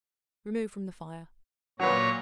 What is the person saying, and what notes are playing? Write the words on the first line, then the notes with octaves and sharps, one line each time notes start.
Remove from the fire.
A#2 F#3 B4 C#5 A#5